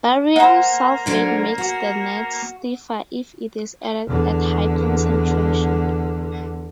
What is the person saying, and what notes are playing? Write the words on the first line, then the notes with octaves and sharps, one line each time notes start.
Barium sulfate makes the nets stiffer if it is added at high concentration.
A#3 C5 F#5
G#2 D3 F#3
F#4
E2 D3